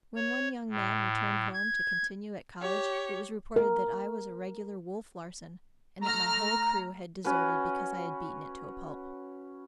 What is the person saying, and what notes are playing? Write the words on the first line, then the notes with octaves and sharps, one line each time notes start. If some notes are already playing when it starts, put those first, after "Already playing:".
When one young man returned home to continue at college, it was reported that I was a regular Wolf Larsen, and that my whole crew had deserted because I had beaten it to a pulp.
C#5
A2
G#6
G4 C#5
A#4
A3 A#5 F6
C#4 F#4 B4